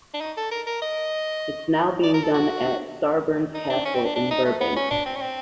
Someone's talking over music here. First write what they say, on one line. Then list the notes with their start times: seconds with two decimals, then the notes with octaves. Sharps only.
It's now being done at Starburns Castle in Burbank.
0.14 D4
0.21 D#4
0.37 A4
0.51 A#4
0.67 A#4
0.82 D#5
2.03 D5
2.14 A#4
2.23 A4
2.34 F#4
3.54 D#4
3.70 D4
3.85 C#4
3.95 C4
4.04 D4
4.16 D4
4.31 D#4
4.45 A3
4.61 B3
4.76 C#4
4.90 D4
5.06 C4
5.16 C#4
5.21 C4